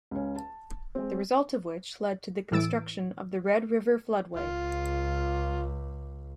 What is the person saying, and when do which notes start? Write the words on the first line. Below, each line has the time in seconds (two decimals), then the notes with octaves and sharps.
The result of which led to the construction of the Red River Floodway.
0.11 C#2 C#4
0.36 A5
0.95 G#3 C4
2.52 A2 E3 E6 A6 D7
4.36 C#2 F4